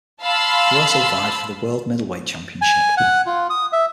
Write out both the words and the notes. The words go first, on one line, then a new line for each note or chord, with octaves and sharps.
He also vied for the world middleweight championship.
F5 A5 B5 C6 E6
G#5
F#5
F4
D#6
E5